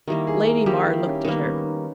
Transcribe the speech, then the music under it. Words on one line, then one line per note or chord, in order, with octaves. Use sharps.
Lady Mar looked at her.
D#3 G3 A#3 E4
G#4
A#4
D#3 G3 A#3 G4
E4
C#4
D#3 G3 A#3 B3
C#4
D#4